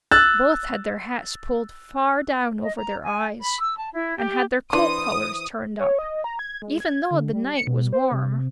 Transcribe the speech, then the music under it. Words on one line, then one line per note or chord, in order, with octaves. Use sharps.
Both had their hats pulled far down over their eyes and had their coat collars turned up, even though the night was warm.
E6 F#6 A6
D#5
A#5
G#5
B5
E6
A5
E4
G4
E3 D4 C5 D#6
C#5
D#5
A#5
G#6
G#3
G#6
D3
G3
C#7
B2
C5
C3